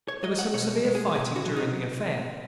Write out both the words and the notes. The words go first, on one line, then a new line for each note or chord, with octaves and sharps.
There was some severe fighting during the affair.
C#5
G#3 D#5
F#5
B2 C#5
G#3
G#4
B2 G#4
F#4
F#3
D#4